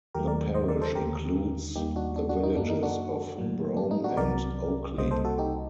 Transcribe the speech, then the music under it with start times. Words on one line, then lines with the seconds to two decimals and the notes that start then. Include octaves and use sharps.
The parish includes the villages of Brome and Oakley.
0.15 D#2 D#3 F#3 A3 G4 A#4
0.28 A#4 D5
0.54 C5 D#5
0.68 A#4 D5
0.81 A4 C5
0.95 D#2 D3 A3 G4 A#4
1.76 D#2 D#3 G3 A#3 D#4 G4
1.96 D4 F#4
2.16 D4
2.29 D4 F#4
2.43 D#4
2.56 F#2 F#3 A#3 D4
2.70 D#4
2.83 D4 F#4
3.37 A2 F#3 A#3
3.77 D4
3.91 D#4
4.04 D4 F#4
4.17 C2 C3 F#3 A#4 D5
4.98 C2 C3 G3 A#3 C5 D#5
5.11 A4 C5
5.25 F#4 A4
5.38 D#4 G4